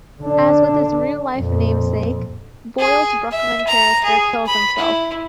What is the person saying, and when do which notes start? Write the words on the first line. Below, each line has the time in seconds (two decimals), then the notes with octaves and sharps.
As with his real-life namesake, Boyle's Bruckman character kills himself.
0.22 D3 D4
1.35 F2 A#2
2.79 G#4
3.31 E5
3.67 A#5
4.04 G#4
4.45 B5
4.78 E4